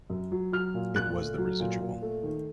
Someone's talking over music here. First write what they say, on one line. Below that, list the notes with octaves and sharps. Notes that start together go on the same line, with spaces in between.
It was the residual.
F#2
F#3
F#3 F6
A#2
A#2 F#6
A3
F#3
A#2
A#2
A3
D#3